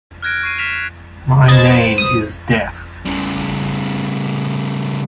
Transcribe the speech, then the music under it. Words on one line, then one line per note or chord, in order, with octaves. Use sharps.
My name is death!
F6 F#6 G#6 A#6 D7
C#6 C7 D#7
F6 B6 E7 F7
B4 C5 D#5 G#6 A6
D#6
C#3 G3